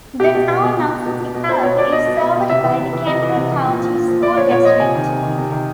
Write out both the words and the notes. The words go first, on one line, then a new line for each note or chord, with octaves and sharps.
The Town of De Kalb is served by the Kemper County School District.
B2 G4
B2
B2
B2
B2
B2
B2
B2
B2
B2 C5
B2 C#5
B2 D5
B2 D#5
B2
B2
B2
C3 E5
E3
C3
E3
C3 D#5
E3
C3
E3
A#2
F3
A#2
F3
A#2 D5
F3 C#5
A#2 C#5
F3 D#5
C3 G#5
D#3
C3
D#3
C3
D#3